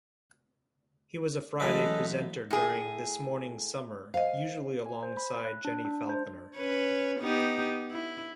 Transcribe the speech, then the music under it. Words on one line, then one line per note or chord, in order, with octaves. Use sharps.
He was a Friday presenter during "This Morning Summer", usually alongside Jenni Falconer.
A1 F#3 G#3 A4 B4 D#5
A2 G#4
C5 D#5 F5
G#5
C5
B5
F#6
D4
D4
C5
C#4 B4 C#5
B3 D#4 G4
E4